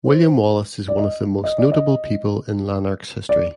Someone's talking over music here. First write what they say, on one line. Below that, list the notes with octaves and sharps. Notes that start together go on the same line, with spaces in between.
William Wallace is one of the most notable people in Lanark's history.
C5
D5
D#5
D#5
D5
D#5
D5